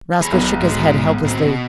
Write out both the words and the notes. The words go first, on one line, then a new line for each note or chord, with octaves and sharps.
Roscoe shook his head helplessly.
G#4 B4
B1
G#2 G#3
A2 C4
B2